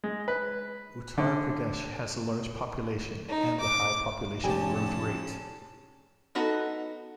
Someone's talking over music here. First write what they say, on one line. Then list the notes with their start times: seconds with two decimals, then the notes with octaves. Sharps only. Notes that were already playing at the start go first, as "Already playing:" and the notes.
Uttar Pradesh has a large population and a high population growth rate.
0.04 G#3
0.28 B4
1.18 D3
3.28 D#4
3.60 D6
4.44 F1 C#4 G4 G#5 A5
6.35 B3 D#4 F#4 A4